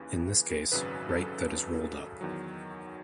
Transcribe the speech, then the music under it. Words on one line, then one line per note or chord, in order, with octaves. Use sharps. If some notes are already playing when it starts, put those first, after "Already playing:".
In this case, write that is "rolled up".
Already playing: D#2 C#3 E3 B4
G#1 F#2 C#3 F#3 B4
A4
E2 D#3 F#3